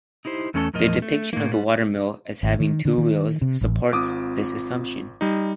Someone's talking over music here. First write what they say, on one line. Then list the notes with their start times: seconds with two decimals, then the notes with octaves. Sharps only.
The depiction of the watermill as having two wheels supports this assumption.
0.25 D#4 E4 G4 C5
0.54 E2 A3 C#4 E4 A4
0.74 E2 A2 F3 A#4 D#5
1.02 A3
1.33 A2 A#3
1.52 G3 G#3
2.43 G#1
2.60 D#3
2.85 D3
2.98 D#3
3.42 C3
3.61 A1
3.92 G#1 C4 F4 D6 D#6
5.21 G3 D#4